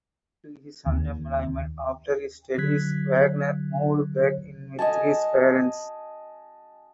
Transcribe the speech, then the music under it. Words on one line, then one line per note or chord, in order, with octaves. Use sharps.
Due to his unemployment after his studies Wagner moved back in with his parents.
D#2
D3 F#3 F#6 G#6 B6
D#5 F#5 G#5 A5